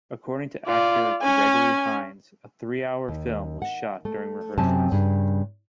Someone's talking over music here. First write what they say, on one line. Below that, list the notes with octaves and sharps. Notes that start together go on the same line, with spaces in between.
According to actor Gregory Hines, a three-hour film was shot during rehearsals.
F4 D5
C#4 G#5
D#2
F#5
A3
F#2 C3 F#3 C4 G#5 A5
G2 C#3